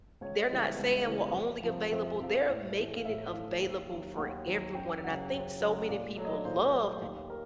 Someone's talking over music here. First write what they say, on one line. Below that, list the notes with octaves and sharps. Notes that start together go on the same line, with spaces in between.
they're not saying we're only available They're making it available for everyone, and I think so many people love
C#2 C#5
D#5
C#3 E3 G3 B3
E5
C#2
C#3 E3 G3 B3
F2
C3 F3
F2 E5
C3 F3
A2
E3 A3
F5
A2 E5
E3 A3 F5
D#2
D#3 F#3
D#2 F#5
D#3 F#3
F#2 G5
C#3 F#3 F#5
F#2 C#5
C#3 F#3
A#2 D5
F#3 A3 D5
D#5
D5
A#2 C5
F#3 A3
D#2
A#4